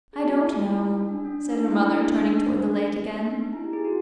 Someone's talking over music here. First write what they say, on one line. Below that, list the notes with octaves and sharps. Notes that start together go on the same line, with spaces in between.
"I don't know," said her mother, turning toward the lake again.
G#4
F#4
F4
F4
E4
D#4
C#4
D4
C#4
D4
D#4
E4
E4
D4
D4
C#4
D4
D#4
D#4
D4
D#4
C#4
D4
D#4
D#4
E4
G4
G#4
F#4